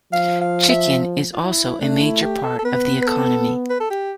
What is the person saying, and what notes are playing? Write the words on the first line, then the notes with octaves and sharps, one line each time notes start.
Chicken is also a major part of the economy.
F3 F5
F5
E5
F4
E4
A3 D4
E4
G4
A4
A4
B3 B4
B4
A4
B4
A4
G4